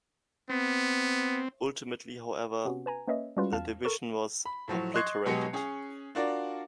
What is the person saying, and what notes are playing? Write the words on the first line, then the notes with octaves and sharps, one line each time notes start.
Ultimately however, the division was obliterated.
B3 C4
C3 B3 C#4 F#4
B4 G#5 A#5
A#3 C#4 B4 C#5 D#5 E5
G3 G#3 C#4 F4 F#4 B4
E2 F5 A5 F6 E7
A4 A#4 C#6 E7
B5
A2 F3 F#3
D#5 C6 C#6 F#6 G#6 C7
B2 F#3 G#3 B3 G4 C#7
C#4 G#4
D4 F4 F#4 A#4 D5